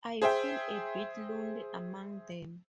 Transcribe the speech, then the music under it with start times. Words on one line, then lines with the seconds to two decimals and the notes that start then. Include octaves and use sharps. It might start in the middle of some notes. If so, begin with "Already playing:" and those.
I feel a bit lonely among them.
0.22 G#4 C5 E5 G5